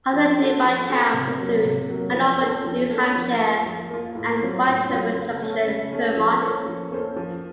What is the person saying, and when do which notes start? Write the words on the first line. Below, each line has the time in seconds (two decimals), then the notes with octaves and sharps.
Other nearby towns include Hanover, New Hampshire and White River Junction, Vermont.
0.13 F3
0.39 C4 F#4 A4 C5
0.65 F3
0.89 C4 F#4 A4 C5
1.14 C3
1.39 F#3 A#3
1.65 C3
1.90 F#3 A#3
2.14 F3
2.40 A#3 C#4 A4
2.64 F3
2.90 A#3 C#4 A4
3.16 F3
3.41 A#3 F4
3.66 F3
3.91 A#3 F4
4.15 A2
4.41 F#3 C4 F4
4.65 A2
4.91 F#3 C4 F4
5.16 C#3
5.42 A3 C#4
5.67 C#3
5.92 A3 C#4
6.17 F3
6.41 A#3 C#4 A4 C5
6.66 F3
6.92 A#3 C#4 A4 C5
7.17 F3